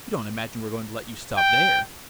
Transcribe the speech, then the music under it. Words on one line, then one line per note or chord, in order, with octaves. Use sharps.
"You don't imagine we're going to let you stop there?"
G5